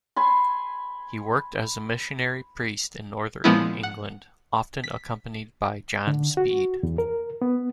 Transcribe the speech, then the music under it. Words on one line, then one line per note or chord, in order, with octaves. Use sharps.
He worked as a missionary priest in Northern England, often accompanied by John Speed.
G#5 B5 C6
A#2 F3 G#3 B3 C#4 E4
F#5
B6
D3
F#4
E2
A#4
B3